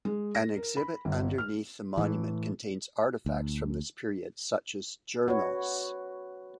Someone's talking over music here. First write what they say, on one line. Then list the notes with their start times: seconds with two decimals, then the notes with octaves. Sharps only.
An exhibit underneath the monument contains artifacts from this period, such as journals.
0.05 G#3
0.35 A#6
0.57 A#4
0.77 B5
1.05 G1
1.38 F6
1.97 A2 E3
3.26 D2
5.28 F#4 B4 C#5